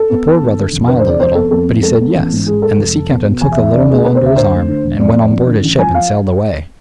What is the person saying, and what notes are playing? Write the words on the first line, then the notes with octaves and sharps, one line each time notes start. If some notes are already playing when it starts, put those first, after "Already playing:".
The Poor Brother smiled a little, but he said, "Yes," and the Sea Captain took the Little Mill under his arm, and went on board his ship and sailed away.
Already playing: A4
B3
B3
G#1
D3
F1
D3 B4
C5
F1
D5
F2 C5
B3 A4
F2 A4
B3
G#3 A4
B3
A1
G#2
G#3 G#4
G#3 A4
F1
F1
B3
B2
E2 G#5
E5
E2
E5
D3 D5
A3 G#4
A3 B4
C5
D2 E5
D3 C5
A3
D3
E1
F2 D5
F2
F2
D3
A1
F3 G#5
F5